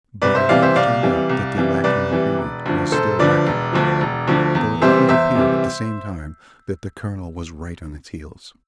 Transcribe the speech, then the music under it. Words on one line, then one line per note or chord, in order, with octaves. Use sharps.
But it always turned out that the lacking ingredient was still lacking--though it always appeared, at the same time, that the Colonel was right on its heels.
C2 B4 D5
C5 E5
C3 E3 G3 D5 F5
C5 E5
C2 D5 F5
C3 E3 G3
C2
C3 E3 G3
C2 B4 D5
C3 E3 G3
E1
D2 D3 F3
E1 A4 C5
D2 D3 F3 B4 D5
E1
D2 D3 F3
E1
D2 D3 F3
E2
C3 E3 G3 C5 E5
E2 C5 E5
C3 E3 G3